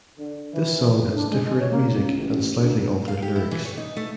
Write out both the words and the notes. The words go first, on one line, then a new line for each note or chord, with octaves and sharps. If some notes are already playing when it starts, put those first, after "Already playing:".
This song has different music and slightly altered lyrics.
D3
E3
D4
G#3
G#3
C#5
A#3
C#2
A1
D2
F5
G4
E4
E3
C#5
D#4
A3